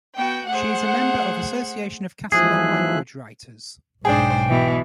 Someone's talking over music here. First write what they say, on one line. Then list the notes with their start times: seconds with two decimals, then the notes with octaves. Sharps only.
She is a member of Association of Catalan-Language Writers.
0.17 B3 F#4 G5
0.47 A3 G#4 C5 F#5
2.32 D#2 G#2 E3 F3 G#4 E5 F#6
4.05 B1 G#2 D4 G#4 C5 G5
4.49 B2 E3